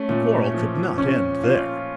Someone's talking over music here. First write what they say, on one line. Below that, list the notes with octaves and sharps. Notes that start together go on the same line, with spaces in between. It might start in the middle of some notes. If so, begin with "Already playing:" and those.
The quarrel could not end there.
Already playing: A3 C#4
A#2
F3
C#4
F4